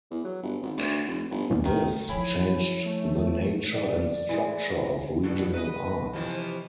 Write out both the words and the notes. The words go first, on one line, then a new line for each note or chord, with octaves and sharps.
This changed the nature and structure of regional arts.
E2
F#3
G1
G#1
D2
F1
G1
E1
D#3
E3 F3 E4 G#4 C#5 B5
A3
D5
E3 G#3
E2 G2 B2
B4 D#5
C3 E3 F3